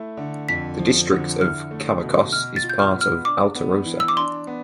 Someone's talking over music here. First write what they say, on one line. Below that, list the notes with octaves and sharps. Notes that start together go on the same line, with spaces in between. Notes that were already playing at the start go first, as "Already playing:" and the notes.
The district of Cavacos is part of Alterosa.
Already playing: A3 E4
D3
F2 B6
F3
D3
E4 F6
A3
B2
B2 F6
A6
F4
G6
F6
B3
F6
D4 D6
B3
E3
E6
D6
D4 C6
B3